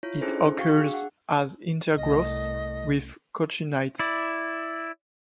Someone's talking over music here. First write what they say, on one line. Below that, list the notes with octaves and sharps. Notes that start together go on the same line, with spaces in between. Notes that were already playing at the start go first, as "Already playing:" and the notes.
It occurs as intergrowths with cotunnite.
E4 F4 C#5
C#4 D4 E4 G#4 A4 C5
F#4 F5 G5 C#6
D4 G#4
F#5
C2 A3 D#5
E4 D5